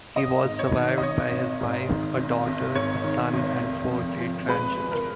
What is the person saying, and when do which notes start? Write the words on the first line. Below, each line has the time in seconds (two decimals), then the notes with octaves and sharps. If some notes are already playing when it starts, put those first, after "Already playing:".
He was survived by his wife, a daughter, a son and four great-grandchildren.
0.16 G#1 D#5
0.44 G#2
0.59 C#5
0.74 D#3
0.98 D#5
1.02 G#1 C#5
1.31 G#1
1.61 G#2
1.88 D#3
2.18 G#1
2.47 G#1
2.75 G#2 C#5
3.04 D#3
3.34 G#1
3.62 F1
3.91 F2
4.20 F3
4.48 G#3 B4
4.77 F1
4.92 A#4